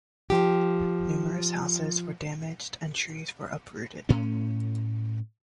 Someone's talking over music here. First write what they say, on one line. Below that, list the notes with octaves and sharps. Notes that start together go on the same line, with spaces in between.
Numerous houses were damaged and trees were uprooted.
F3 G4
A2 C#4